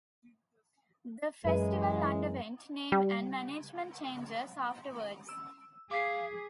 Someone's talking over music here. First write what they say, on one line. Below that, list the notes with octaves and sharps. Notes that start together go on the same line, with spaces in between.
The festival underwent name and management changes afterwards.
F#2 E3 G#3 B4 G#5
G3
E6
G#4 F5 D6 B6 C7